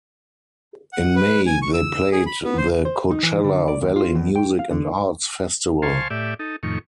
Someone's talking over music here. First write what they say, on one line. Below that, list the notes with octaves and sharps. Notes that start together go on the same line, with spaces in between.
In May, they played the Coachella Valley Music and Arts Festival.
F#5
B4
G#5
C#6
E6
G#4
B5
B3
C5
C5
D#4
E3
D3
D5
D#2
F4
E2
G5
F5
D3
C5 F5 G#5 A5 C6 C#6
A2 G4 D5 E5
D#4 A4
F2 A2 D#3 C#6